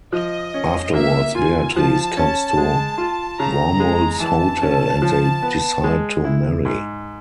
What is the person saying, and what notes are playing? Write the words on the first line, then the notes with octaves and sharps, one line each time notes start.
Afterwards, Beatrice comes to Wormold's hotel, and they decide to marry.
F3 D#5
C#4
A#3 E5
F4 G#5
F3 A5
C#4
G#3
F4
C#3 A#5
G#3
E3 A5
C#4
F3
B3
G#3
E4
G#2